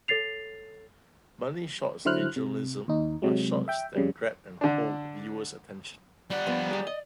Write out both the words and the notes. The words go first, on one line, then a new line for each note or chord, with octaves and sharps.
Money shots in journalism are shots that grab and hold viewers' attention.
A4 C#5 A6 C7 F7
D3 F#3 E4 C5 F6 F#6
C3
D#2 D#4
C3 F#3 G#3
E5 G5
F2 C#3 G3
D3 D4
G3 D5 F#5
F3 B3
G4 G#4
D#5